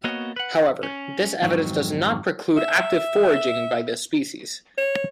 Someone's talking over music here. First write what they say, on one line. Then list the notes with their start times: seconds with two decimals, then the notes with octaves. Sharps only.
However, this evidence does not preclude active foraging by this species.
0.04 A#3 B3 F#4 C#5 D#5
0.36 B4 F#5
0.83 C#4
1.42 F2 G#2 D#3 F#3
2.57 E5
4.78 C#5